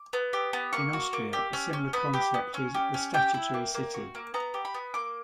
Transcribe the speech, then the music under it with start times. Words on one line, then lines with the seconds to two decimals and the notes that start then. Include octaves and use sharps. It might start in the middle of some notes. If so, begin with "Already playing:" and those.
In Austria, a similar concept is the "statutory city".
Already playing: D6
0.13 B3
0.33 G4
0.53 B3
0.73 A#3 C#6
0.93 F#4
1.13 A#3
1.33 G4
1.53 C#4
1.73 C#4
1.93 B3 B5
2.14 G4
2.34 B3
2.54 C#4
2.74 G4
2.94 C#4
3.14 G4 G5
3.34 E4
3.54 A#3
3.74 A#3
3.94 F#4
4.15 A#3
4.34 B3 A#5
4.54 G4
4.65 B5
4.74 B3
4.94 A#3 D6